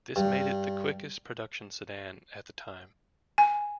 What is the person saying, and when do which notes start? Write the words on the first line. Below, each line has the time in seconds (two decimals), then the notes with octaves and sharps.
This made it the quickest production sedan at the time.
0.16 G2
3.38 G#5